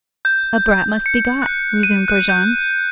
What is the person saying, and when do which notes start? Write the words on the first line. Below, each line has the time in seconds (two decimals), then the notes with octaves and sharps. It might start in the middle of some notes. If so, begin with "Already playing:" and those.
"A brat must be got," resumed Brujon.
0.25 G6
1.06 C#7
1.42 F#6
1.83 D#7
2.08 F#6
2.29 G6